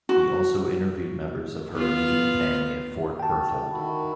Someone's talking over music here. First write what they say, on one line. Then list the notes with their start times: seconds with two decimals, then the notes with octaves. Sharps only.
He also interviewed members of her immediate family at Fort Berthold.
0.09 F#4
1.73 B3 F4
3.20 F#4 G5 A5
3.70 D#3 E4 F#4